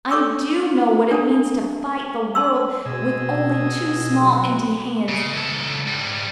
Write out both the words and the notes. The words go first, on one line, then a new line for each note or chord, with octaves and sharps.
I do know what it means to fight the world with only two small empty hands.
A4 C#5 C#6 D6 E6
D4 A4 A5
A5 C6 E6
B2 G#4 D#5 E6
F#3
C#3
C#2 A4
G#2 G3